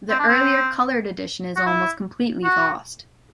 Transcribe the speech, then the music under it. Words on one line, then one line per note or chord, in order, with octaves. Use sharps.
The earlier colored edition is almost completely lost.
C4
D4
C4
F#4
E4
F#4